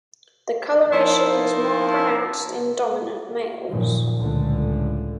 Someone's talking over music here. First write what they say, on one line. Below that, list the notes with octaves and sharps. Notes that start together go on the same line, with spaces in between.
The coloration is more pronounced in dominant males.
F3 A#3 D#4 E4 A5 C6
F#2 A#2 D#3 F3
C#2 A2 D3